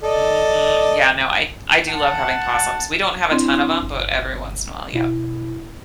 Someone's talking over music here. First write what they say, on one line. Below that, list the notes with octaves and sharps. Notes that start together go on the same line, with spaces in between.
Mhm. Yeah, no, I I do love having possums. We don't have a ton of them, but every once in a while, yep.
A4 D5 D#5
F#5 A5
C4 D4 E4 C6
G1
B2 E4